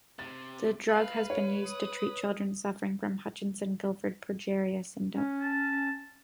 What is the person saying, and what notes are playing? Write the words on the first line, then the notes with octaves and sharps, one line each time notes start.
The drug has been used to treat children suffering from Hutchinson-Gilford progeria syndrome.
C3 A6
B4 F5
C#5
D#6
C#4
A5